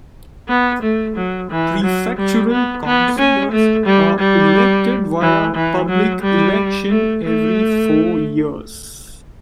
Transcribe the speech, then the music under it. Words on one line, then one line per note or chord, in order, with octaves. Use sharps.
Prefectural councillors are elected via public election every four years.
B3
A3
F#3
E3
F#3
G3
B3
B3
C#4
A3
G3
G3
E3
E3
F#3
G3
A3
A3